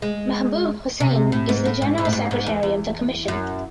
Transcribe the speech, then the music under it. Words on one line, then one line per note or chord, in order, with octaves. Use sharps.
Mahbub Hossain is the General Secretary of the commission.
G#3
C3
A2
G#2
A2
G#2
G#2
A2
G#2
G#2
E2
E2
F#2